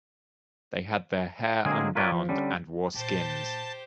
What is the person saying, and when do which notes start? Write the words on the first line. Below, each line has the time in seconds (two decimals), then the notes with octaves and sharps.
They had their hair unbound, and wore skins.
1.66 D3 F#3 G#3 A#3 C4 G#4
1.95 F4 A#4 B4 C#5 D5
2.12 F3
2.29 D3 G3 C#4
2.94 A#2 G4 C5 A5